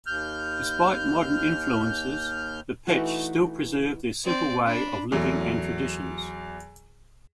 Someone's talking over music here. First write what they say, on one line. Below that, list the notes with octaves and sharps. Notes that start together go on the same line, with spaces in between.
Despite modern influences the Pech still preserve their simple way of living and traditions.
D#2 F6 G6
E3 A3 D#4 F#4
C4 D5
D4 B5
E2 F#3 A3